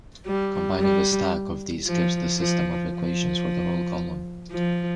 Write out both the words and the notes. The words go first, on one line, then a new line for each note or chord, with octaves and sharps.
Combining a stack of these gives the system of equations for the whole column.
G3
G3
F3
F3
F3
F3